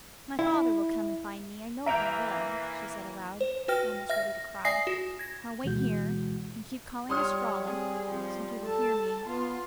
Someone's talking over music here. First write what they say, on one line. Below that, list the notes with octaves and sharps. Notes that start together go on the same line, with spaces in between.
"My father will come and find me, I know he will," she said aloud, almost ready to cry. "I'll wait here, and keep calling 'Estralla,' so he will hear me."
E4
E3 A#3 E5 A#5 G6 D7 F7
C5
F#4 B4 G5 F6 A#6
E5 F6 A#6
D5 E5 G#5 D#6 A#6 C7
F#4
G#6 A#6
D2 B2 E3 G#3 F#4 G6
G3 C#5 C6 D#6 F6
C4 G#4
F3 C4
A4 A5
B3 F4